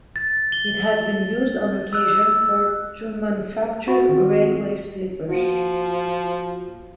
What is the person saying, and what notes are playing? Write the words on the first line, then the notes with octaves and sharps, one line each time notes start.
It has been used on occasion for to manufacture railway sleepers.
A6
G7
E6 F#6
F#4 B5 A6
D#3 C4 F4
F3 A#3 F#4